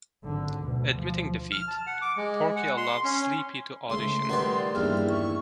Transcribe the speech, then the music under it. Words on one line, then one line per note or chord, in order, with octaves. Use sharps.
Admitting defeat, Porky allows Sleepy to audition.
G#1 D3
D2 B2
F3
F6
A5
F#5
D6
G#3
F#5
C6
C#4
C#2 A3 C6
D#3 G3 F#4 B4 D5
A#1 E2 G2 E4 F6
C#6